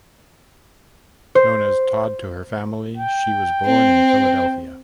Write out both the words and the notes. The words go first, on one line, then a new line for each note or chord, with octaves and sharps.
Known as "Tod" to her family, she was born in Philadelphia.
C5
G5
C4